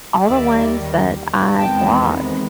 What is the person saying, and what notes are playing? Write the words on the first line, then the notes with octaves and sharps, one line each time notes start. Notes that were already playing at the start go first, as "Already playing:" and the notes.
all the ones that I blocked
D#2 D#3 G3 D5 E5
E2 C3 D#3 G#3 B3 G5 A5